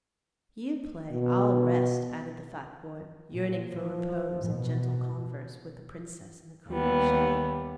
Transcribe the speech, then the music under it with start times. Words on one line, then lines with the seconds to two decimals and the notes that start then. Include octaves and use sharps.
'You play, I'll rest,' added the fat boy, yearning for repose and gentle converse with the Princess in the cooling shade.
1.11 B2
3.34 A#2
3.73 F3
4.46 B2
6.70 D#2 G3 B3